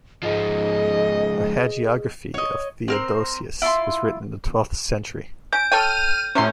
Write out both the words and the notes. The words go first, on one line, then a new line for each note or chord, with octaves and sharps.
A hagiography of Theodosius was written in the twelfth century.
G#2 F3 G#4 D#5
C#5 D#5
C4 A#4 C5
E4 F4 C6
C#4 G6 D7
A4 C#5 G5 F6 D#7
A2 C3 F#3 C#4 C6